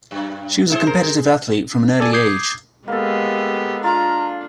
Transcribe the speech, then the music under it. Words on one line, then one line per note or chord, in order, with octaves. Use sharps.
She was a competitive athlete from an early age.
F#2
E4 G#4 C5
A#4
A4 D5 G#5
D6 D#6 G6 G#6 C7
G#3 A#3 B3 G4 A4
D4 F4 F5 A#5